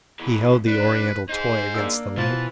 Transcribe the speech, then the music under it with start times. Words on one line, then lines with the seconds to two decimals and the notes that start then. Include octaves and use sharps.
He held the oriental toy against the light.
0.19 B2 E3
0.67 D4 B4
1.29 D#4 G#4 C5
1.74 A#3 D4 E6
2.18 B2 E3 F4 C5 A5